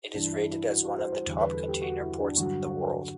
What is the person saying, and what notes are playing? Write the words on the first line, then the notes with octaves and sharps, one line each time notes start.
It is rated as one of the top container ports in the world.
G2 E3 G3 D4
E4
E4
F#4
F#4
C5
C5
E2 D3 G3
B4
A4
G4
F#4
E4
D4
G2 D3 F#3 F#4
F#4